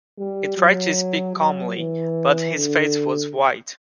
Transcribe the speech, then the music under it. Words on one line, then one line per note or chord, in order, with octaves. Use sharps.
He tried to speak calmly, but his face was white.
G3
F#3
F#3
E3
D3